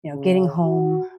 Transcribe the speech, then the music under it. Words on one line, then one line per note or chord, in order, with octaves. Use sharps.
you know, getting home,
C#3
F#4